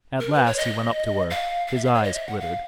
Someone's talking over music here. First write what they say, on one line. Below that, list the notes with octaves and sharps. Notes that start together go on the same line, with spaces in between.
At last he went up to her; his eyes glittered.
A#4
B4
C#5
D#5
F5
F5
E5
F5
C#5
D#5
E5
F#5
F5